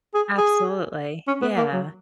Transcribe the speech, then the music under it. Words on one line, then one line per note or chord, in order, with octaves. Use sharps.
Absolutely, yeah.
G#4
G#4
C#4
B3
A#3
F#3